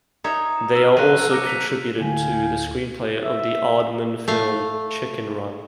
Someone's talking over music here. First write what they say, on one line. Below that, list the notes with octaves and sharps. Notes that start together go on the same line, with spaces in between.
They are also contributed to the screenplay of the Aardman film "Chicken Run".
D#4 C#5 E5
E6 F6
F3 F#3 A#4 F#6 D#7
D6 A#6 C#7
B6 F7
D2 A2 F5 G5 G#5
E5
A3 F5